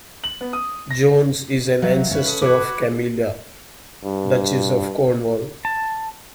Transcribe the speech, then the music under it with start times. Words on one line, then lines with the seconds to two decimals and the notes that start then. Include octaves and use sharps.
Jones is an ancestor of Camilla, Duchess of Cornwall.
0.24 F#7
0.41 B3
0.53 D#6
0.91 A#6
1.82 F#3 E5 F5
2.11 C#4 B4
2.28 A4
2.42 F#4 B4 D6 F#6 G#6
2.80 G#4
4.04 G2
5.65 A5